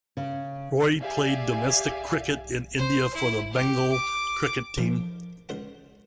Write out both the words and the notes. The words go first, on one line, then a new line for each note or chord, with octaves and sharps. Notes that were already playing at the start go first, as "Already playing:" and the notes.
Roy played domestic cricket in India for the Bengal cricket team.
C#3
G4 G#4 D5 E5 F5 G#5
C5
E4
G4
D6
D#2 D#3 F3
C#2 C5 F#5